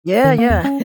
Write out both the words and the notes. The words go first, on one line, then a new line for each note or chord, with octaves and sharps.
Yeah, yeah.
D#3
A#3
E2
C#4